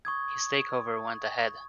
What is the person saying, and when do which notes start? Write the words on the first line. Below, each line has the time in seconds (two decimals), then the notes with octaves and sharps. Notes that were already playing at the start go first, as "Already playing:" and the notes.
His takeover went ahead.
0.05 C#6 D#6 G#6